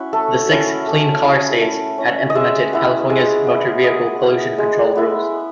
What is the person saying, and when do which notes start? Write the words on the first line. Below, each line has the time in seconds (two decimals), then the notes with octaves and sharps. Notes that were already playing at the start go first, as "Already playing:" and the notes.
The six "clean-car states" had implemented California's motor-vehicle pollution-control rules.
Already playing: C#4 E4 F#4
0.13 A3 A4
0.50 C#4 E4
0.87 A3
1.24 C#4 E4
1.61 A3
1.98 C#4 E4
2.30 D#5
2.35 G#3 E5
2.73 B3 E4
3.10 G#3
3.47 B3 E4
3.84 G#3 D#5
4.21 B3 E4
4.58 G#3
4.95 B3 E4